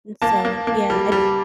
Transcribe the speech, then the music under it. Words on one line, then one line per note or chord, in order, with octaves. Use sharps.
And, so, yeah I'd
A#3 A5
A#3
A#3
G3
G3